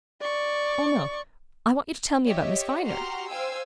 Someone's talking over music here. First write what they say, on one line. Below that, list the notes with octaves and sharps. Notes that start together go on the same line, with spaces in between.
"Oh, no. I want you to tell me about Miss Viner."
D5 C#6
G4 C#5 D#5 E5
F#4 G4 A#5 C6 F6
C5 F5 G5 G#5 E6